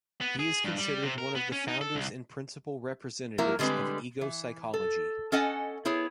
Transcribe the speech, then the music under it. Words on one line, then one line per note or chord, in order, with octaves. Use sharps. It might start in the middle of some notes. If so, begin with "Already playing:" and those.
He is considered one of the founders and principal representatives of ego psychology.
B3
G#4
G2
G3
C3
A#4
B3
C#4
D#4
A4
C2
F3 F#3 A#3 E4 A#4
D3 G3 G#3 C4 B4
E3
A4
C#4 A4 D#5 F#5 G#5
B3 E4 G#4 C#5